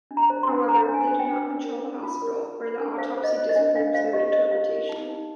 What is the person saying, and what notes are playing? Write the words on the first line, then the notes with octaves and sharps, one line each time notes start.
However, they do not control the hospital, where the autopsy disproves their interpretation.
D4
A#5
C5
C6
D4
C5 A#5
D4
G#5
C5
G5
D4
D4
A#4
D4
F4
A#4
A#4
F4
D4
C5 F5
C5
D#5
C5
D#5
D4
D4 F5
C5 F5
G4 D#5
C5 D#5
G4 F5
A#4
D#4
D#4